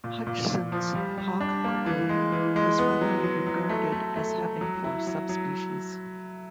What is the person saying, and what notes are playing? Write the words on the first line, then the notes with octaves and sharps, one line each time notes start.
Hodgson's hawk-cuckoo was formerly regarded as having four subspecies.
A#2
A#2
A#2
F3
G3
G3
D4
A#3
E3
G#3
E3
G#3
B3
F#3
F#3
F#3
A3
A3
A3
F#3
F#3
E4
F#3
F#3